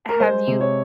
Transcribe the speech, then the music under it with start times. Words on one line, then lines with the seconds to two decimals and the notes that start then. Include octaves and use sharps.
have you
0.09 A#4
0.20 G#3 C5
0.47 C3
0.60 C#5